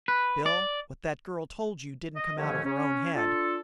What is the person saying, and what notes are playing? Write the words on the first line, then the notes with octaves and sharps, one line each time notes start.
Bill, what that girl told you didn't come out of her own head.
B4
D5
D#5
D#2 D3 D#3 F3 A3 C#4
C#4
D4 F4 A4